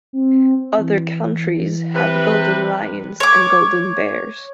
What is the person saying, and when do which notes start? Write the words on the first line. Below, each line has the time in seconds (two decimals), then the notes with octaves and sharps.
Other countries have golden lions and golden bears.
0.13 C4
0.77 E3
1.95 C3 B4
3.20 C#5 D6